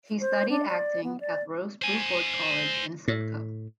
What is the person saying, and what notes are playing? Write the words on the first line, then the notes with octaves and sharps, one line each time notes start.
She studied acting at Rose Bruford College in Sidcup.
C5
D4
D5
B3
D5
C5 G#5
A2